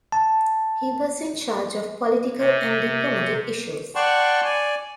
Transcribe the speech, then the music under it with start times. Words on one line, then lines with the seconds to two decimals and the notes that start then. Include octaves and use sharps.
He was in charge of political and diplomatic issues.
0.12 A5
2.37 C3
3.95 D5 F#5 G5 A5 C6 C#6
4.44 D5 G#5